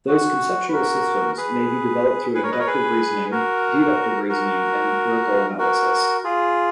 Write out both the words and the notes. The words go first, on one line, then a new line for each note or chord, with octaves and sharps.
Those conceptual systems may be developed through inductive reasoning, deductive reasoning, and empirical analysis.
F#4
B4
F#4 A#4
G#4 B4
G#4 B4
A#4 C#5
B4 D#5
A#4 C#5
G#4 B4
F#4 A#4
F#4 A#4
F#4 A#4
F4 G#4